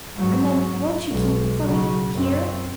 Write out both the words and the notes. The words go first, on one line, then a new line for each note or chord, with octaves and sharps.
And then--won't you keep it for me--here?
G#2 F#3
B1 G#3
C#3 F#3
F#2 C4